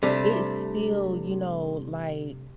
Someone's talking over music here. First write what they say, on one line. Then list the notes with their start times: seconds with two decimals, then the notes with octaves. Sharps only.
it still, you know, like,
0.03 C3 G3 A3 D4